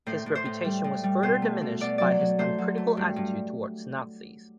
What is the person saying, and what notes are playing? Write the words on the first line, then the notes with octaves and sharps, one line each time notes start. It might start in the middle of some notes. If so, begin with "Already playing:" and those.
His reputation was further diminished by his uncritical attitude toward the Nazis.
A2 C5
A2
C5
A2
G3
A2
G3
B2 C5
A3
B2
B2 D5
F#3 D5
F#3
A3 C5
F#3
A3
G2
G2